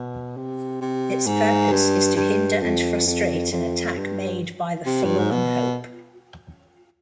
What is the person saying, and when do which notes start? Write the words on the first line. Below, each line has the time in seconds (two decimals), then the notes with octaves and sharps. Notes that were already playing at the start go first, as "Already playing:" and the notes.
Its purpose is to hinder and frustrate an attack made by the forlorn hope.
Already playing: B2
0.37 C3
0.81 C3
1.27 G#2
1.72 G2
2.17 G2
2.62 F2
3.06 F2
3.52 F2
3.97 G2
4.86 C3
5.04 G2
5.18 G#2
5.31 B2